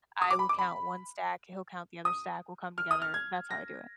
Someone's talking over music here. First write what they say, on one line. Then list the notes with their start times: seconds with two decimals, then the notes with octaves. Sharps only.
I will count one stack; he'll count the other stack. We'll come together; that's how I do it.
0.22 D#6
0.31 D6
0.39 B5
0.49 D6
0.59 B5
2.05 D#6
2.78 F6
2.91 D#6
3.02 F6
3.14 G#6
3.51 A#6